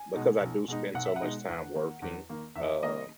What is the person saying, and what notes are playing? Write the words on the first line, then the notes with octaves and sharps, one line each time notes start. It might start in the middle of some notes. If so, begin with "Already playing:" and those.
because I do spend so much time working, um,
Already playing: G#5
B2 G#3 D#4
B1
B2 G#3 D#4
B1 F#5
E5
F#5
B2 G#3 D#4
E2
D#3 A#3
E2
D#3 A#3
E2 E5
D#3 A#3 D#5